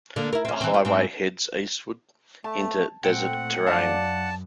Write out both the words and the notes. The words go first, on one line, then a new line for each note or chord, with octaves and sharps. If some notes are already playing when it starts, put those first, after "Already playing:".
The highway heads eastward into desert terrain.
D3 A#3
E4 A#4
C4 C#4
E3 C4
F4 C5
G#2 C4
A3 A5
A#2 A3 C4 F#5 G5
F#2 D4 F5 A5